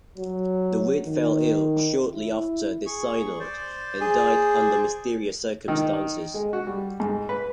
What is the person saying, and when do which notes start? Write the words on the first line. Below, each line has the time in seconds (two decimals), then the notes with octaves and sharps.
Dawit fell ill shortly after this synod, and died under mysterious circumstances.
0.18 F#3
1.05 D#3
2.13 E4
2.86 G#4 C#6
3.40 C5 D5
4.01 G#4
5.68 D#3
6.34 G#3
6.53 F#4
6.67 G3
7.00 G#2
7.29 B4